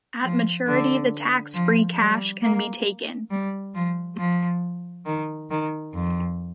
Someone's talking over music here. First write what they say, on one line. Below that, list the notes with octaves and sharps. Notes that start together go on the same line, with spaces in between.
At maturity the tax free cash can be taken.
F3
D3
F3
G3
A#3
G3
F3
F3
D#3
D#3
F2